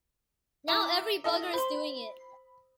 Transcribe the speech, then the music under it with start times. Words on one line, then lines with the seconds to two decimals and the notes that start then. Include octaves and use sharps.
Now every bugger's doing it.
0.68 E4 A#5 D6
1.24 E4 A4 D#5
1.54 C5 B5 C6